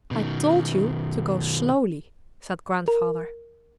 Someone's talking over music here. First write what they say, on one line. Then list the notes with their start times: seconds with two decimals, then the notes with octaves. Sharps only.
"I told you to go slowly," said Grandfather.
0.11 B2 D#3
2.88 A#4